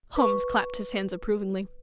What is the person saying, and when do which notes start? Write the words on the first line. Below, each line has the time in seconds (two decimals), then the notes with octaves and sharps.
Holmes clapped his hands approvingly.
0.16 B4 C#6